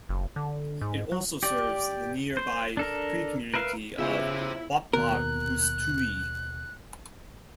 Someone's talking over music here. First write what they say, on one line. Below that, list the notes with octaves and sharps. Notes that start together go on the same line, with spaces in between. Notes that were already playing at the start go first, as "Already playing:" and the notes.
It also serves the nearby Cree community of Whapmagoostui.
F#1
D3
G#2
F#3
G4 D5
C5
D4 A4 A#4
A#4 B4 E5 F5
C#3 B3 E4 F4 G#4 C5 E5
D#2 B2 A#4 F#6